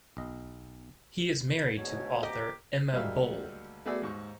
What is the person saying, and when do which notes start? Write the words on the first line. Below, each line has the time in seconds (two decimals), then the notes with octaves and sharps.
He is married to author Emma Bull.
0.17 B1 D#5
1.76 D2 G#2 B2 C#5
2.23 C3 A#3 G4 D#5 A#5
2.93 D2 G3 G#3 A#3 E5 F5
3.86 A3 B3 F#4 G#4 D5 E6
4.01 D#2 G#2 C#6